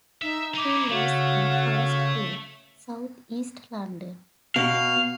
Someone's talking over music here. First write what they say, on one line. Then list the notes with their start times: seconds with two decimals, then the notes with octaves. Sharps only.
He lives in Forest Hill, south east London.
0.22 D#4 E5
0.54 D#4 E4 D6
0.89 C#3 A3 F#4 C#5 F5
4.56 B2 F5